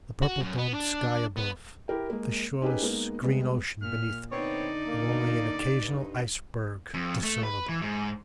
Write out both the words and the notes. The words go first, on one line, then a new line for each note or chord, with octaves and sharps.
The purple-domed sky above, the shoreless green ocean beneath, and only an occasional iceberg discernible!
F#4
F#2
B3
D4
B3
E4 G4 A#4 G5
G#3 A#3
C#4 D#4 G4 G#4 B4
G#3 A#3 B3 D#4
G3 G#3 B3
A#2 F6
D3 B3 C4 D#4 C#5 D5
A#3
G2
F2
A3
B4
E3
G#2